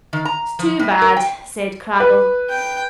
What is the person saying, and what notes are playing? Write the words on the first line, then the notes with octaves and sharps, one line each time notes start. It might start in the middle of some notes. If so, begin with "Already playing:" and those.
"It's too bad," said Cradell.
D#3
A#5
F3
A2
A#4
G5
B4
G5